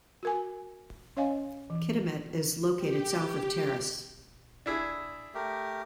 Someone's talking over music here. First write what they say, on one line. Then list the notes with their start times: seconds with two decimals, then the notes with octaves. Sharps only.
Kitimat is located south of Terrace.
0.23 F#4 A#4 G#5
1.17 C#4 C#5 D#5 F5 G#5
1.70 E3
2.77 G4
4.66 D4 E4 G#4
5.34 A3 G4 A#4